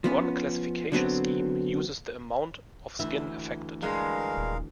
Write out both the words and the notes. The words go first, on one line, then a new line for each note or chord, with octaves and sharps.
One classification scheme uses the amount of skin affected.
F3 B3 C#4
D3 F#3 B3 C4
D2 E3 E5
G2 G#3 A#4 F5
D#1